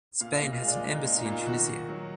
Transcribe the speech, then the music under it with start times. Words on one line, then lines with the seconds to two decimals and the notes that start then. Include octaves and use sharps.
Spain has an embassy in Tunisia.
0.21 A#2 F5
0.36 D#5
0.42 A#2
0.53 F5
0.62 G#3
0.68 D5
0.84 D#4 D5
1.04 A#2
1.15 D#4
1.26 A#2
1.31 F4
1.47 D#3 F#4
1.67 D#3
1.89 F#3